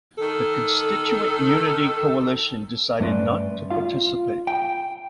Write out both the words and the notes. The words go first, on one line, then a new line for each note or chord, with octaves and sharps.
The Constituent Unity coalition decided not to participate.
D#3 A4
G2 A3 C#4 B4 D5 C6
F4 F5
G5